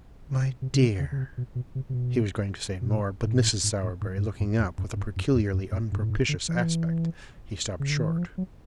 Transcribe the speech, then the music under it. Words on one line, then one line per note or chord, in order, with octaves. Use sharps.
'My dear--' He was going to say more; but, Mrs. Sowerberry looking up, with a peculiarly unpropitious aspect, he stopped short.
C3
C3
C#3
C#3
C#3
C3
B2
B2
C3
C3
B2
B2
A#2
A2
G#2
A2
G#2
G#2
G#2
G#2
G2
F#2
F2
F#2
G2
F#2
F2
F#2
F#2
G2
A2
G#2
D3
E3
F3
E3
C#3
D3
D#3
E3
F3
F#3